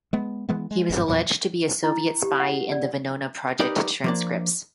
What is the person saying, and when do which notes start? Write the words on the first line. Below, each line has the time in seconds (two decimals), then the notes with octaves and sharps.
He was alleged to be a Soviet spy in the Venona Project transcripts.
0.13 G#3 B3
0.49 E3 G#3 B3
0.71 G#3
0.90 G1 G#2
1.08 E2 A#2 E3 F#3
1.84 E4
2.22 G4
2.40 F#5
2.72 D5
3.59 D#4 G4 A#4 B4 D5
4.04 F3 A#3 D4